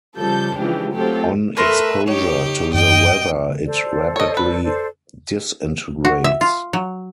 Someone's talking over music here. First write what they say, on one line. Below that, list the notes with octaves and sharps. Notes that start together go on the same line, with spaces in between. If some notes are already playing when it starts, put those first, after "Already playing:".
On exposure to the weather it rapidly disintegrates.
C#3 F3 G3 A4 G6
C#3 E3 F3 G#3 D4 G4
F#3 A3 C4 F4 G4 A4
A3 A#4 B4 E5 C6
D#4 G4 C#5
F#2 D#5 G5
A4 C5 D5
C#5 D#5
B4
A4 C5 D5
F#4
E5
F4
F#3